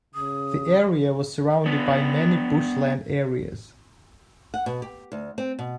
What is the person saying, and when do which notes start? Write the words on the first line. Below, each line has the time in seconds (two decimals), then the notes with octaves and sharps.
The area was surrounded by many bush land areas.
0.15 C#3 D#6
1.66 B3 D4
4.54 F#5
4.66 B2
4.82 G4
5.12 D2
5.38 C4
5.59 B2